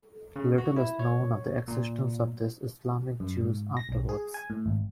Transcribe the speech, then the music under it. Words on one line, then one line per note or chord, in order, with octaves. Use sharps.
Little is known of the existence of these Islamic Jews afterwards.
C#3
F#4
E4
C#5
A#2
F#2
G#2
A#6
B1
G#4
G#5
A2
G#1